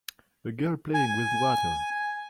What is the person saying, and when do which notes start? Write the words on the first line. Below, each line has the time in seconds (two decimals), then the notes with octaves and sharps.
A girl playing with water.
0.94 G#5